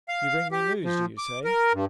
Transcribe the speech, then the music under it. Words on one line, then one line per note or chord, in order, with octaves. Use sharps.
"You bring me news, do you say?"
F5
G4
F3
D6
A#4
G2